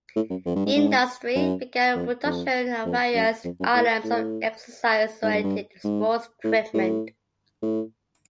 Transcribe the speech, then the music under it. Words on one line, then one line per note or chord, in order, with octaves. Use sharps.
Industry began the production of various items of exercise-oriented sports equipment.
A2
F#2
F2
G2
G#2
G#2
F#2
F2
F2
F2
F#2
F2
F#2
A2
A2
G#2
G2
G2
G#2
A2
A2
A2